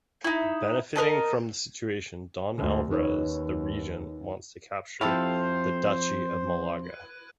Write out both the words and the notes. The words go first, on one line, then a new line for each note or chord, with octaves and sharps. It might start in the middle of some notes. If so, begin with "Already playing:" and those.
Benefiting from the situation Don Alvarez the Regent wants to capture the Duchy of Malaga...
D#4 E4
A#4 B4 D#5 A5
D2
D#2 D#4 B4 C#5
F2 E4 G4 A4 C5 F5